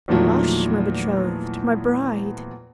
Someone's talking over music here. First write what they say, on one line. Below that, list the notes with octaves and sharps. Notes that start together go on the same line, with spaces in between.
'Hush, my betrothed! my bride!
E2 A#2 D#3 F3 F#3 A3